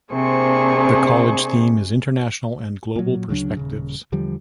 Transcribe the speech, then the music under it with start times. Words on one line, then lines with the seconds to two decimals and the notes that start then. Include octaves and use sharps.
The college theme is "International and Global Perspectives".
0.12 C3 A#3 D4 G#4 C5 C#6
2.96 A#2 F#3
3.29 D2 C#3 F#3 D4
3.57 D#1 C#3
4.12 E2 D3 F3 G3